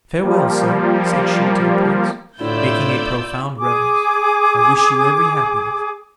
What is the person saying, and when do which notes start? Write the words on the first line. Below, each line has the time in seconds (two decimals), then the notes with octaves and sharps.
"Farewell, sir," said she to the prince, making a profound reverence, "I wish you every happiness."
0.23 F3 G3 A#3
2.40 D2 A2 E4 F4 D5 E6 G6
3.59 G#4 D6